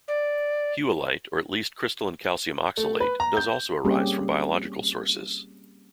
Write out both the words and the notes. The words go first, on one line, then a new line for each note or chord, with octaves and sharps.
Whewellite, or at least crystalline calcium oxalate, does also arise from biological sources.
D5
A3
B4
A#5
G6
G3 A#3 C4 C#4 G4 G#4